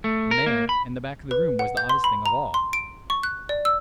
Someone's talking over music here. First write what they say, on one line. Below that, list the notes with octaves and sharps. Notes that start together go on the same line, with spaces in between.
And there in the back of the room was the oddest thing of all.
A3
A#4
A#3
B5
B4
F#5
G6
C6
B5
A#5
C6
D7
C#6
F#6
D5
E6